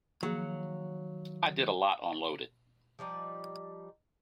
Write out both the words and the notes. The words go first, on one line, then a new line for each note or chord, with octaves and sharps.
I did a lot on "Loaded".
D#3 F3 F#3 A#3 G#4 F5 F#5
F3 G3 D#4 D5